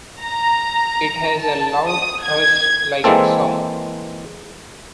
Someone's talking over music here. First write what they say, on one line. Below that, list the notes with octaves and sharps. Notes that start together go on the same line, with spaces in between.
It has a loud thrush-like song.
A#5
A5
D#6
G#6
E3 G#3 A#3 C4 A4